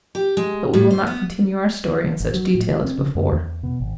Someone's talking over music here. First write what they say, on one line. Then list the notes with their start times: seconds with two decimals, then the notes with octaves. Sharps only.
But we will not continue our story in such detail as before.
0.15 G4
0.37 G#3
0.74 A2
0.91 C5
1.07 B3
2.20 G#1
2.34 F#3
2.55 A2
2.70 E3
2.84 C4
2.98 C#3
3.15 F#2
3.32 E2
3.63 B2
3.80 G#1